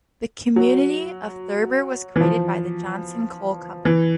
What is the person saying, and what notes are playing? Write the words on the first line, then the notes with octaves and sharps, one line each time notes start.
The community of Thurber was created by the Johnson Coal Company.
F#3
E3
F3
E3